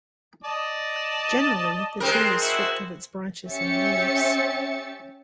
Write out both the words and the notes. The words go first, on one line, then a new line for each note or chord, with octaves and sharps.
Generally, the tree was stripped of its branches and leaves.
D5 D#5 A5
G#3 C4 A#4
E4 F#4 C5
C#4 G4 E5 A6 C#7